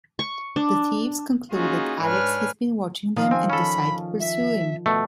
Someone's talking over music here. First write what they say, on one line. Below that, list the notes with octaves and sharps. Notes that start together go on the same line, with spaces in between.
The thieves conclude that Alex has been watching them and decide to pursue him.
C#6
D4
A#3 C#4 D#4 F4 F#4 G#4
G#2 D4 B4 C#5 G#5 F6
D#3 F3 F5
C4 G#5
C#4 A4 B5
E5
B2 A3